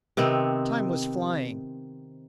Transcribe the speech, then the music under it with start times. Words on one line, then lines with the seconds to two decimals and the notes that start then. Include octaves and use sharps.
Time was flying.
0.17 C3 D#3 B3 C4